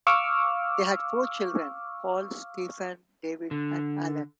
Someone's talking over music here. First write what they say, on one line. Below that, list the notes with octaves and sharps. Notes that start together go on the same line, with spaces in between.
They had four children: Paul, Stephen, David, and Alan.
F5 C#6 D6 E6 F6
D3